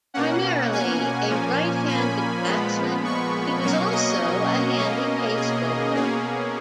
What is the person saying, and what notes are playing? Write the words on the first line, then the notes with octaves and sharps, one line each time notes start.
Primarily a right-handed batsman, he was also a handy pace bowler.
B2 A#3 C#4 F#5
G#5
A#2 F3 A#3 C#4
B5
A#2 F3 G#3 B3
C#6
B2 F#3 A#3 C#4 C#6
D#5
B2 A#3 C#4
G#4
B2 A#3 C#4 G#4